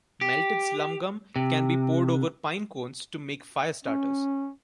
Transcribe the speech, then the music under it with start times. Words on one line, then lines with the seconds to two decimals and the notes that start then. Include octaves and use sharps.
Melted slumgum can be poured over pine cones to make fire starters.
0.21 G4
1.36 C3
3.85 C#4